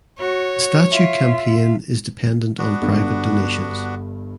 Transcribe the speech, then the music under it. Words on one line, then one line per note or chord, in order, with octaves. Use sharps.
The statue campaign is dependent on private donations.
F#4 C#5
F4 E5
B3 D4 F#4
G1 G2